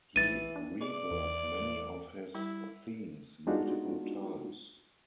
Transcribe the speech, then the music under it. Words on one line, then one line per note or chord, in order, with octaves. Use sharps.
He reworked many of his themes multiple times.
A#1 E3 A6 D#7
D4
G#3 D5
E2
G3 E4
G#3 B3 D4 D#4 F4 F#4